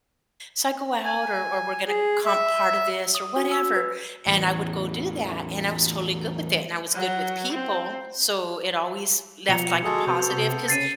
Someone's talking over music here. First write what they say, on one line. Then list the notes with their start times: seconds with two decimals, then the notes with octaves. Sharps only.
so I go out or or we're gonna comp part of this or whatever, and I would go do that, and I was totally good with it, and I was good with people, so it always left, like, a positive 'cause
1.05 G#5
1.87 G#4
2.25 E5
3.15 D#6
3.36 F#4
3.51 E6
3.76 B4
4.26 A1 E2
6.95 F#3
7.52 C4
9.49 B2 F3 C#7 F7
9.84 G1 G#3 F#4 G#4 A4
10.07 C3 B3 A4 C5
10.68 C#3 A6 C7 D#7